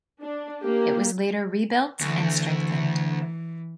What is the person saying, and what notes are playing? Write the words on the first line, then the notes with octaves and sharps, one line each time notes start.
It was later rebuilt and strengthened.
D4
A#3 G4
D2 E3